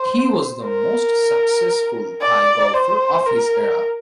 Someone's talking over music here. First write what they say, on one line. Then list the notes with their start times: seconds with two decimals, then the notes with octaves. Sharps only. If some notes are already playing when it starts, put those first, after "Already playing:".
He was the most successful Thai golfer of his era.
Already playing: C5
0.64 A#4
2.21 D5
2.74 C5
3.26 A#4